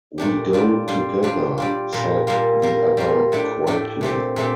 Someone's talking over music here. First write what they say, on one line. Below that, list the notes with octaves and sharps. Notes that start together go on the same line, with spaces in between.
"We go together," said the other quietly.
A#2 A3 D4 G4
G3 D4 F4
G3 D4 F4
G3 D4 F4
G3 D4 F4
A#2 G3 A#3 F4
A#2 G3 A#3 F4
G3 A#3 F4
G3 A#3 F4
A2 A3 D4 G4
A2 A3 D4 G4
A#2 A3 C4 G4
A#2 A3 C4 G4